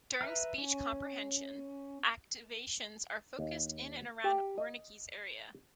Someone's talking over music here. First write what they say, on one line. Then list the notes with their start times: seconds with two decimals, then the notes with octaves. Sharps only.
During speech comprehension, activations are focused in and around Wernicke's area.
0.21 B4 E5 A#5 F6
0.58 C#4
3.39 D#2
4.24 G4
4.58 D#5